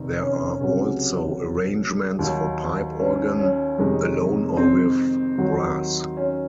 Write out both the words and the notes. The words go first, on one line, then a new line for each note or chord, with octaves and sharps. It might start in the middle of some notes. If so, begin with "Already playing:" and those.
There are also arrangements for pipe organ, alone or with brass.
Already playing: F1 D#3
C#4
C#2 C3 F#3 C#4
D#2 D#3 F#3
C#4
C#4
F2 C3 D#3 G#3
C4
D#2 D#3 F#3
C#4